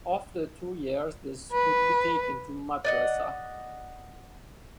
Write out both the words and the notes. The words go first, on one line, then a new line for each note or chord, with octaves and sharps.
After two years they could be taken to madrasah.
B4
D5 D#5 F#5